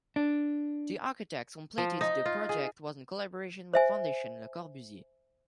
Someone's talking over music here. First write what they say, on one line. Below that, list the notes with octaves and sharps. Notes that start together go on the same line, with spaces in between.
The architects completed the project was in collaboration with Fondation Le Corbusier.
D4
F3
D#4
F4
G#4
C5 E5 G#5